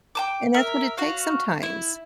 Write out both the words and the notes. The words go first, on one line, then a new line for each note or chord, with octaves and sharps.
And that's what it takes sometimes.
G5 A5 D6
A#4 E5
F#4 C#5 F5
E4